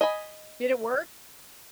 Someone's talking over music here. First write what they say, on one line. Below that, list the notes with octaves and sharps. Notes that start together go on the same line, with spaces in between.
Did it work?
D#5 G#5 B5